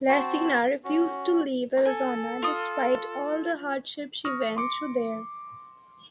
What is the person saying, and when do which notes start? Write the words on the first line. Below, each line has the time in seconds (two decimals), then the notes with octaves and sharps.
Larcena refused to leave Arizona, despite all the hardships she went through there.
0.09 C4 F#4 A5
0.84 C#4 F#4
1.85 A4 G#5
2.42 F4 D#6
4.25 C#6 D#6 F6 A#6
4.57 C6 D6 C#7